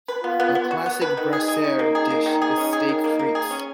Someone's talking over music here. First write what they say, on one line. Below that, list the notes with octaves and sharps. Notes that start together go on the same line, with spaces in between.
A classic brasserie dish is steak frites.
B4
B3 F4
B3
B3
F#4
B3
B4
D#3 D#4
G#4
G#4
C#4
A#3
G#4
A#3
D#3
G#4
C#4
G#4
D#3
A#3
A#3
G#4
C#4